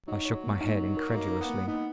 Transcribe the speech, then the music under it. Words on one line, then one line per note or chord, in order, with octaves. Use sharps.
I shook my head incredulously.
F#3 D#4
C#5
A#3
D#4
D#4
A#4
A#3 D#4
A#4
B3
A#3
B3 D#4